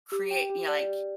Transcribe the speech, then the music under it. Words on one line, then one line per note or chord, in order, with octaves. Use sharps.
create you know, like,
G4
G5
G4
D5
G4